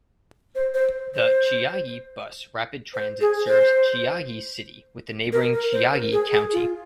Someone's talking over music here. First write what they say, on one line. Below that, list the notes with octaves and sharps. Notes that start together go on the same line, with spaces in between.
The Chiayi Bus Rapid Transit serves Chiayi City with the neighboring Chiayi County.
C5
C5
C5
C5
G#4
C5
A#4
A#4
C5
A#4
G#4
G#4
F4